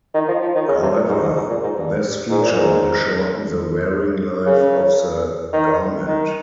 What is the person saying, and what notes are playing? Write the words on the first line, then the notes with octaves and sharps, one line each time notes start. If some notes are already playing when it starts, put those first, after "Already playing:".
However, this feature will shorten the wearing life of the garment.
D#3
F3
F3
D#3
C#3
C3
A#2
G#2
G#2
G#2
A#2
G#2
G2
G#2
A#2
G#2
C#3
D#3
D#3